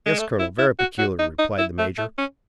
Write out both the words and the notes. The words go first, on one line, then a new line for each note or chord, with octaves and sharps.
"Yes, colonel; very peculiar," replied the major.
G#3
A3
E4
E4
F#4
F#4
D#4
D#4
E4
A3
A3
C#4